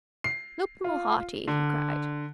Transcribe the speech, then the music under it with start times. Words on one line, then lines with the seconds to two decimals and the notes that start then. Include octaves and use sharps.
"Look more hearty!" he cried.
0.24 C7
0.84 F4
1.48 D3